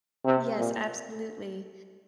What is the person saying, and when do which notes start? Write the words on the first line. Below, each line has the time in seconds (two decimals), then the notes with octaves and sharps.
yes, absolutely.
0.25 C3
0.59 A#2